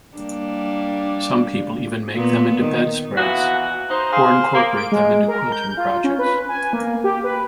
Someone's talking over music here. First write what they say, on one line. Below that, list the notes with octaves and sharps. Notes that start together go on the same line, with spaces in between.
Some people even make them into bedspreads or incorporate them into quilting projects.
G3 A#3 D4
A#2 B3
D#3
A#2 E3 B3 F#4
D#4 C5
G#4 C5 F5
A#3
D7
G#3
A#4
G6
F4
C#4
B4
G#5
A#3
G4
B4